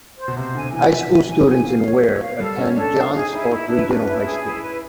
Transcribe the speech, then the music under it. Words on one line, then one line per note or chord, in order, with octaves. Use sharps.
High school students in Weare attend John Stark Regional High School.
C5
B2
C3 C5
D3 G#5
E3 G#5
F3 E5
F3 G#5
E3 G#5
F3 G#5
F5
C#5
C#5
F5
G3 A4
C#4 C#5
D4 A4
D4 F5
D#4 G#4
D#4 E4
D#4 E4
D4 B4
C#4 B4
D4
C#4 E4
G#4
E4
B4